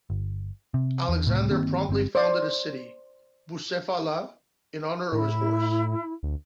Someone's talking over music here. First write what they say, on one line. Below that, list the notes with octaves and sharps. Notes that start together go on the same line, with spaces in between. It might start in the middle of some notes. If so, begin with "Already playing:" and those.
Alexander promptly founded a city, Bucephala, in honour of his horse.
G1
C3
E2
C#2 A2 C3 A3
G1 D#3 A#3 C4
G1 C4
C5 D5
A2 E4
D2